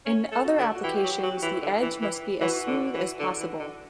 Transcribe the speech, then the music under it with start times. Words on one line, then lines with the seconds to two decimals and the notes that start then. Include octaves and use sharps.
In other applications the edge must be as smooth as possible.
0.06 C#4
0.32 A3
0.45 F#4
0.58 D3
0.75 F#4
0.84 E3 G4
1.04 F#3
1.23 F#3
1.42 E3
1.62 D3
1.83 E3
2.02 E3
2.41 E3 F#4
2.67 D3
2.94 E3
3.20 D3
3.40 E3
3.60 D3